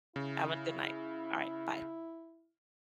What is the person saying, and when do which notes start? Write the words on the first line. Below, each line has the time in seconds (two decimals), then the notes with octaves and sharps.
Have a good night. Alright, bye.
0.16 C#3 E4